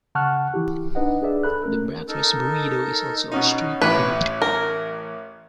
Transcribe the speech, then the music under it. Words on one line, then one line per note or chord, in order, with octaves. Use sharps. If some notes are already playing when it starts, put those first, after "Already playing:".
The breakfast burrito is also a street food.
C#3 F#5 A5 C#6 F6 F#6
E3 E4 G4
D4 D#4 B4 D#5 F#5
D4 G#4 B4 D5 E5
C#2 A4 B5 F#6
A3 C#4 A#4
D#4 A4 A#4
B2 C#4 D#4
A1 A2 B4
A#4